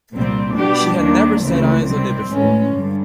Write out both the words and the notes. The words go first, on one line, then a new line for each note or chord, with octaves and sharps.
She had never set eyes on it before.
C2 A#2 G3 C4
B2 G3 B3 D4 G4
D#2 D#3 G3 A#3 D4
C#2 C#3 E3 A3 C4
C3 D#3 G3 C4
A2 E3 G#3 C#4
G2 D3